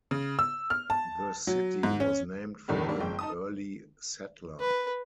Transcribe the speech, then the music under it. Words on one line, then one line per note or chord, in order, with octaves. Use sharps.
The city was named for an early settler.
C#3
E6
F6
A5
F#3
G#2
C#4
E2 A2 D3 D#3 G3 D#4
G#2 D#3 G3 A#3 D4
F#1 G#3 G5
D#4 A5 D#6
B4